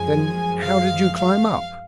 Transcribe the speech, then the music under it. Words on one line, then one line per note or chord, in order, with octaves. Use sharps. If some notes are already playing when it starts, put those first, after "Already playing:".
'Then how did you climb up?'
Already playing: F#2 F3 G#3 G#5
F5
F5